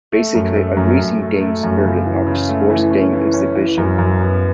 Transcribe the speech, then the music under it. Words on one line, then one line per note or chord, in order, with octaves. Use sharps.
Basically a racing game's version of a sport's game 'exhibition.
A3
F#2
A3
F#2
F#2
A3
A3
F#2
C#3
E3
C#3
A3
E3
C#4
E3
C#4
E3
F#2
F#2
B3